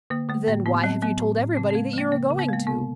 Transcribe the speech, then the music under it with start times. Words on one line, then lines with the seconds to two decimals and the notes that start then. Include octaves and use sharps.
"Then why have you told everybody that you are going to?"
0.10 D3 A#3
0.29 D3 A3
0.47 A2 A#3
0.66 A2 B3
0.83 F#3 C4
1.02 F#3 B3
1.20 A2
1.39 A2
1.57 C#3 C4
1.71 G#3 C4
1.93 F3 A#3
2.11 C#3 A#3
2.30 C#3
2.39 B3
2.49 G#3 A#3
2.67 C3 B3